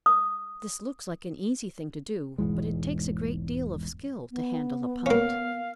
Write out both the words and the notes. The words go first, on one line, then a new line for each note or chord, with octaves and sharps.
This looks like an easy thing to do, but it takes a great deal of skill to handle a punt.
D#6
E1 G#2 E3 G#3
B3
A#3 C#4 F5